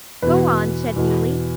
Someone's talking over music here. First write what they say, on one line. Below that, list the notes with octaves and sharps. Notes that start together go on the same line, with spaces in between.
"Go on," said Neelie.
E2 B2 B4
E2 B2